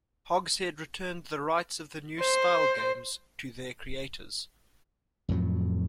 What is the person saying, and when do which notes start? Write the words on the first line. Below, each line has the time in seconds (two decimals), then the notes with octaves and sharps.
Hogshead returned the rights of the New Style games to their creators.
2.20 C5
5.29 F2 A2 F#3